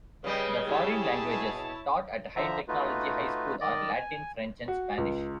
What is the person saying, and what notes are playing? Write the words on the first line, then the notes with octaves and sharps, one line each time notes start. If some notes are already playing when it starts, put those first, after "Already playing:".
The foreign languages taught at High Technology High School are Latin, French and Spanish.
C#3 G3 G#4 B4 D#5 G5
E4 G4 G#4 C#5 A5
B2
D3 F3 E5 A#5
A3 D#4 F4 F#4 B4
D#3 D5 D#5
G#5
F#4
C#2